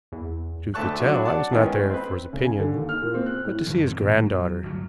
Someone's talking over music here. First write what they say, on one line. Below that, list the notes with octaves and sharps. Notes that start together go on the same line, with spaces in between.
Truth to tell, I was not there for his opinion, but to see his granddaughter.
E2
D2 A3 A5 C#6 F#6
F#3 D4 F#4
D5 F#5 A5
G#2 D#3 E3 B3 C#4 D#4
C4 B4
C#3
G#5
D3
D#2
F6
A#2
C4
F#6
A2
F#2 D3 F#3
D#1 D#2 C4
A#1 A#2 D#3 G#3
F#3
G1 D2 F#3